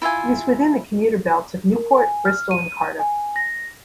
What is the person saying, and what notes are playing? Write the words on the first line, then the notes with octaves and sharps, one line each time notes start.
It is within the commuter belts of Newport, Bristol and Cardiff.
E4 F4 E5 G#5
A#4
G#5
F6
D#7
G#5
A#6